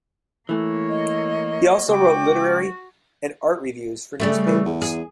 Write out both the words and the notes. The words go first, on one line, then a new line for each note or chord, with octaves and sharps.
He also wrote literary and art reviews for newspapers.
E3 A3 A#3 C#5
D#5
C#2 F#4 G5 D6
C#3 G3 A3
E3
E2
G#4